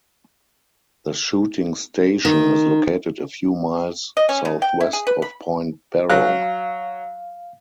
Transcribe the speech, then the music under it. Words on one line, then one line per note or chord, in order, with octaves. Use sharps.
The "Shooting Station," is located a few miles southwest of Point Barrow.
D#3
D#5
C#4
C#3
G5
E4
G#4
B4
B5
F#3 F5 F#6